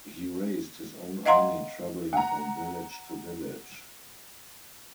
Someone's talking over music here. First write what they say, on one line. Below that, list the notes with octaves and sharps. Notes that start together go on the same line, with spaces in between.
He raised his own army travelling from village to village.
D#5 F5 F#5 A#5 C6
F#5 A#5